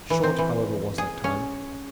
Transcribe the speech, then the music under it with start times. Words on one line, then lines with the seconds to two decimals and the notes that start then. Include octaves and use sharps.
Short, however, was that time.
0.10 E3
0.23 C4
0.38 E3
0.98 G#4
1.24 C#4